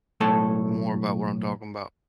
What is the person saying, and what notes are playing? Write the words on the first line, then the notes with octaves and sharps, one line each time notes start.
more about what I'm talking 'bout,
B1 A2 A3 A4 A5